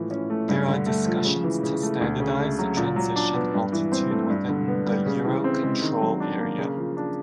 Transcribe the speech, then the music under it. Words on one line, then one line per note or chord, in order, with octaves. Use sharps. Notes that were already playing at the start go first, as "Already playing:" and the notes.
There are discussions to standardize the transition altitude within the Eurocontrol area.
Already playing: A2 E3 F3
C#4
A3
G2
D3
A3
F3
C#3
E3
C#3
A3
D2
C#3
A3
F#3
A#2
F#3
D4
B3
G2
E3
C4
A3
G2
D3
B3
G3
C#3
E3
C4
G#3
D#3
F#3
D4
A#3
C#3
F3
D4